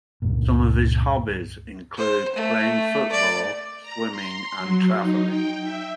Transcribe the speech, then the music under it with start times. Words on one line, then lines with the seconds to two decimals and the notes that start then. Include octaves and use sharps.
Some of his hobbies include playing football, swimming, and traveling.
0.22 C#2 G2 A#2
1.98 C5
2.35 A3
3.11 D5
3.81 A#5
4.11 C6
4.59 F#3
4.97 D#4
5.28 G5
5.62 E5